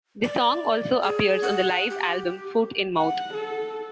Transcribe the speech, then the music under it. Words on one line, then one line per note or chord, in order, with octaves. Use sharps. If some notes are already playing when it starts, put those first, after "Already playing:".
The song also appears on the live album "Foot in Mouth".
D5
G#4
F#5
G4
F#5
A4